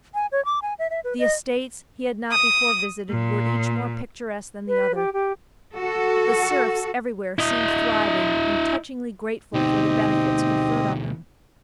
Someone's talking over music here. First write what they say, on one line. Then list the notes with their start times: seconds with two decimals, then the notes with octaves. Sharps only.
The estates he had not before visited were each more picturesque than the other; the serfs everywhere seemed thriving and touchingly grateful for the benefits conferred on them.
0.14 G#5
0.32 C#5
0.45 D6
0.62 G#5
0.79 E5
0.90 E5
1.04 B4
1.19 D#5
2.30 D#6
3.10 A#2
4.68 B4
4.95 G4
5.13 G4
5.74 F#4 A4
7.39 E4 D#5
9.54 D2 B2 C4 D#4 G4 D#5